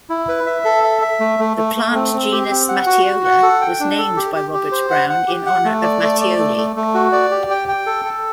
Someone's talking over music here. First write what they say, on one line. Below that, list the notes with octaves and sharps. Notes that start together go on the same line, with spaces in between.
The plant genus "Matthiola" was named by Robert Brown in honor of Mattioli.
E4
B4
E5
A4
E5
E5
A3
A3
A3
A3
C4
C4
G4
C4
F#5
F#4
F#4
F#5
A4
G5
D4
A4
G4
G4
G4
C5
F#5
F#5
G4
F#5
A3
D5
A3
D5
A3
A3
A3
F#4
D5
G4
G5
G5
A4
A4